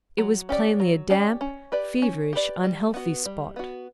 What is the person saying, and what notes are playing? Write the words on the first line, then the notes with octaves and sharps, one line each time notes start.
It was plainly a damp, feverish, unhealthy spot.
F#3
C#4 G4 D5
F#3
C#4 G4 D5
C#4
G4 B4 D5
C#4
G4 B4 D5
G3
B3 F#4
G3
B3 F#4